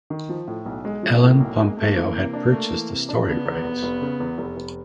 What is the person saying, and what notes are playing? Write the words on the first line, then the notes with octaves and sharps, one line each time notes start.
Ellen Pompeo had purchased the story rights.
D#3
F3
A2
B1
G#3
F3 A#3
A2
B1
G#3
A3 A#3
E3
C3
D4
A3
E3
C3
D4
C#3 B3
E2
F1
F1
C#3
E2
F1
F1